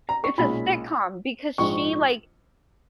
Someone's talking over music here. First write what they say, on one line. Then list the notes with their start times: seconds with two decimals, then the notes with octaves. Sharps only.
it's a sitcom because she, like,
0.09 A#5
0.24 C#6
0.38 B1 A#2 G#3 C#4 B5
1.58 A#1 G#2 F3 G#3 C#6